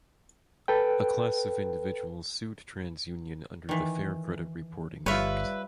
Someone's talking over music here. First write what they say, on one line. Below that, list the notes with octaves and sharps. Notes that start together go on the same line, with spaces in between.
A class of individuals sued TransUnion under the Fair Credit Reporting Act.
A4 B4 G5
D#3 E3
G1 G3 F4 B4 C#5 E5